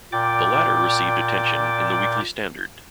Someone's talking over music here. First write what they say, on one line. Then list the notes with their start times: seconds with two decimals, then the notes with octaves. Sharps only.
The latter received attention in the Weekly Standard.
0.12 A#2 D5 G5 D6